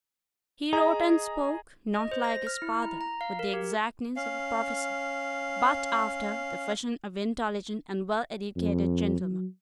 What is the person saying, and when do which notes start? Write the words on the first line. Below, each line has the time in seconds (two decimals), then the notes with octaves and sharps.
He wrote and spoke, not, like his father, with the exactness of a professor, but after the fashion of intelligent and well educated gentlemen.
0.73 G#4 D#5 A#5
1.94 D#5
2.12 C5
2.24 A#6
2.47 F6
2.62 E4
2.83 A#5
3.01 A#5
3.21 F5
3.39 A#4
3.53 G4
4.16 C#4 F5
8.57 F2
9.20 F#3